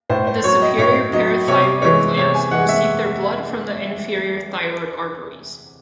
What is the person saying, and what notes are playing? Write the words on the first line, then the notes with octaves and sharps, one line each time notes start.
The superior parathyroid glands receive their blood from the inferior thyroid arteries.
A2 C5
C5
F#3 C#5
D#5
A2 C#5
F#3 D#5
C3 C#5
E3 G#3 C#5
C3 C#5
G#5
E3 G#3 F#5
E5